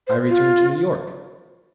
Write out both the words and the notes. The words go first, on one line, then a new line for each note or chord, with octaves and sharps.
I returned to New York.
C5
F4